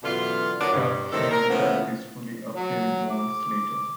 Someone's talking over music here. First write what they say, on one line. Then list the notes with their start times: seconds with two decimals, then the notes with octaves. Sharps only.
Tao Qian died peacefully a few moments later.
0.03 F#2 B2 D3 E3 F4
0.60 A2 D3 F#3 A#3 B3 D4
0.73 G2
1.11 A2 C3 D#3 C4 A4
1.30 A#4
1.48 A2 C#3 E3 F3 B3
2.56 F#3
3.11 D6